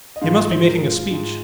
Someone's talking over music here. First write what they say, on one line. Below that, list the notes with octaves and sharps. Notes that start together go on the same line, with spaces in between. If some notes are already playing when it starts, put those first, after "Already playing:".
He must be making a speech.
D#5
G#2 F3 G#3 F5
D#5
C5
A#4
F4
F4
G#2 G#3